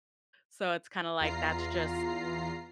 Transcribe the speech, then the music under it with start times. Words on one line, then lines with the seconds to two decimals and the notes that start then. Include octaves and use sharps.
so it's kinda like that's just
1.20 E2 F4 A#5 C7